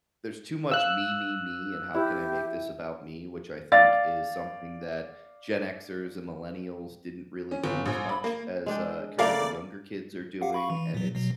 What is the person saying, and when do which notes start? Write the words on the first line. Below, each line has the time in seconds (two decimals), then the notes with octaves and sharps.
there's too much me, me, me, and how can I make this about me, which I think is something that Gen Xers and millennials didn't really do as much as, uh, kinda the younger kids are doing, and it's
0.71 F5 E6 F#6
1.95 E4 G4
3.72 D5 F5 A6
7.51 C#4
7.64 G1
7.86 A#1
8.09 B5
8.24 A#3
8.66 G#3 D4 G5
9.19 C#3 A3 A#3 A4 A#4 D5 F5
10.41 G4 F5 F#5
10.53 F5 B5 C#6
10.70 E3
10.94 A#2 F#3
11.15 B2 F#3